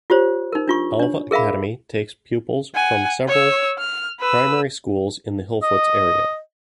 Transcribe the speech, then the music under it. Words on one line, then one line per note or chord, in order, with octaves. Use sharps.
Alva Academy takes pupils from several primary schools in the Hillfoots area.
F4 G4 C5 C#5
D#4 A#4
D4 F4 C#6
D4 C#5
G#4 A#4 E5 F5 B5
F#5 G#5
C#5 E6
F6
B4 E6
D#5